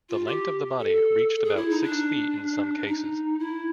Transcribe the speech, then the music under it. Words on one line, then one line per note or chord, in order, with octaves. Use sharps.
The length of the body reached about six feet in some cases.
F4
G4
A4
A4
G#4
E4
D#4
D4
D#4
E4